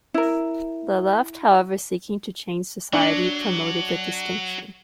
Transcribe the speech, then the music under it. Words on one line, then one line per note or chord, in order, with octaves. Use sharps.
The Left, however, seeking to change society, promoted the distinction.
E4 A#4
F#3 D4